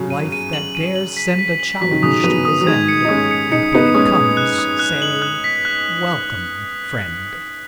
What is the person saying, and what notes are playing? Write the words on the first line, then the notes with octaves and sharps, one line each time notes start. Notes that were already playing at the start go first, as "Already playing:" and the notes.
Life, that dares send A challenge to his end, And when it comes, say, "Welcome friend."
Already playing: C#3 F#3
D#7
D#7
F#7
D#7
F#7
B6
B6
F#7
F#3 B6
D#3
C#3 F#3 D#6
F#3 B3 D#7
D#6
F#3
D#3 G#3 G#6
C#7
D#4
G#3 C#4 D#6
C#7
D#4 C#7
B3 D#4 C#7
G#3 C#4 D#6
D#6
F#6
D#6
F#6
F#7
F#6
B6
F#6